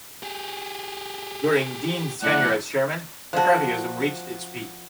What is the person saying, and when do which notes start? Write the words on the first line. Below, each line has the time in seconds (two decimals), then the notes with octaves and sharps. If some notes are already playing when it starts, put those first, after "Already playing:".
During Dean's tenure as Chairman, McCarthyism reached its peak.
0.23 G4 G#4
2.23 F3 A3 E4 D5 F#5
3.33 F3 F#4 C5 D5 A5